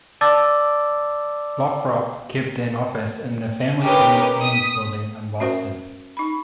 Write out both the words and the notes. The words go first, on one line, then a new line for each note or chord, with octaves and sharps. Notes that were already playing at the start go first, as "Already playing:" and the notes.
Lothrop kept an office in the family-owned Ames Building in Boston.
D5 A5 D6 E6 A6
C#4 D#4 G4 A#4 B4
D#6 B6
C#4 F#4 A#4 C5 E5
D#4 B5